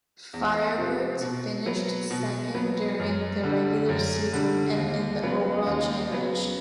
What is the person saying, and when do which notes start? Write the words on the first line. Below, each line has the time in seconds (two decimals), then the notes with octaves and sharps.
Firebirds finished second during the regular season and in the overall championship.
0.33 E2
0.78 C3 F3
1.21 B2
1.66 F#3 B3
2.10 B2
2.54 F#3 B3
2.99 F#2
3.43 D3 G3
3.89 F#2
4.33 D3 G3
4.77 D#2
5.22 C#3 F#3 B3
5.67 D#2
6.11 C#3 F#3 B3